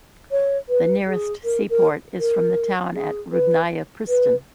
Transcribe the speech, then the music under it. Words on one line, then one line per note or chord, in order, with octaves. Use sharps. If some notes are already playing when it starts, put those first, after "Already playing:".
The nearest sea port is from the town at Rudnaya Pristan.
C#5
B4
G#4
A#4
A#4
A#4
G#4
B4
B4